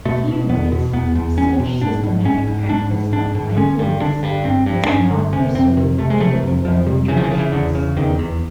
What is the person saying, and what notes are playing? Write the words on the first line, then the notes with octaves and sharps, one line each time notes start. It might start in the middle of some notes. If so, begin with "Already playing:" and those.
He writes, such systematic practice of mindfulness was not preserved in the Tibetan traditions.
B2 A3
B2
E2 B3
B2
E2 B3
E2
E2 C#4
B2
G#2 D4
G#2
G#2 C#4
G#2
G#2 D4
G#2
G#2 D4
G#2
D3 C#4
G2
D3 D4
G2
G2 C4
G2
D4
G2 C#4
D3
C3 C#4
F2 C4
C3
C3 A3
G#3
C3 A3
F2
F2 F3
C3
C#3 E3
F3
E3
C#3 F3
E3
E2 D3
C#3
E2 D#3
E2